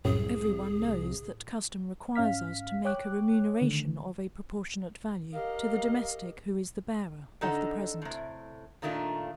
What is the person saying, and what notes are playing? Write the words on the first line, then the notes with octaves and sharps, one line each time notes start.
Every one knows that custom requires us to make a remuneration of a proportionate value, to the domestic who is the bearer of the present.
C2 F#2 A2 G#4
G#2 C#4 F5 F6 B6
C#5 G5 D6 F#6
D3 D#3 A3
G4 A#4 D#5 F5
D3 D#4 A4 D#5 F#5
A2 C3
A#2 D#3 A3 D4 F4